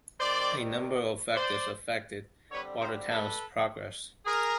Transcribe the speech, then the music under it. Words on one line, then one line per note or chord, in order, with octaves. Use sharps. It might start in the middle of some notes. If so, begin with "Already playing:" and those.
A number of factors affected Watertown's progress.
D#3 G3 C4 C5 D5
C5 D5
D3 G3 C4 B4 C#5
A#4 C5
A4 B4
G#4 A#4